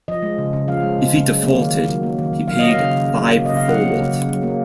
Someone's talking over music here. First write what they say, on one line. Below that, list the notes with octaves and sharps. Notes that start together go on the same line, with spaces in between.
If he defaulted, he paid fivefold.
F3 D#5
G#3
C#3
C#3
F3 F5
G#3
C#3
C#3
F#3
A#3
D#3
D#3
F#3
A#3
D#3
D#3
F#3 F5
A#3 D#5
F5
C#3
C#3
F#3
A#3
C#3
D#5
C#3 F5
F#3 F#5
A#3
C#3
C#3
F#3
A#3